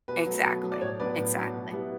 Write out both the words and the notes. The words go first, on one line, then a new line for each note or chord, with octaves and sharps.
Exactly, exactly.
B2 B4
F#3 A3
B2
F#3 A3
D5
A2 C#5
F#3 B3 D4 B4 D5
A2
F#3 B3 D4
B2
G3 B3 E4